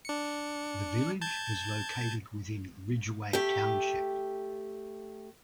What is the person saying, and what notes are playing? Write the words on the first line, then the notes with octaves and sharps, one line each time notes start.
The village is located within Ridgeway Township.
D4 C#7
A5 G6 G#6
A3 G4